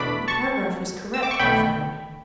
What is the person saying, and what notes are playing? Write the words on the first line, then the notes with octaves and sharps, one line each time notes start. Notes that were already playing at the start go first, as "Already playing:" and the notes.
"The paragraph was correct, my friend."
Already playing: E2 B2 A3 D4 B5 D6
A5 C#6
E6
D6
C#6
B1 B2 A3 G5 B5